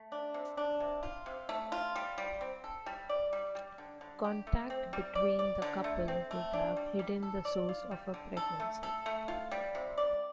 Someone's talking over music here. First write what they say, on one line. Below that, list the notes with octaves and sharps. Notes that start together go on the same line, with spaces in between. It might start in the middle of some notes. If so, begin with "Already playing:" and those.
Contact between the couple would have hidden the source of her pregnancy.
Already playing: A3
D4
C3
D4
C3
F4
C3
A3
F4
G3
G3
C4
A4
G3
D5
G3
G3
D3
D3
G4
A3
C4
G3
D5
D5
D3
A3
C4
A3
D4
G3
G3
A4
D5
F4
G3
D3
A4
A3
A4
A3
F4
G3
C3
D5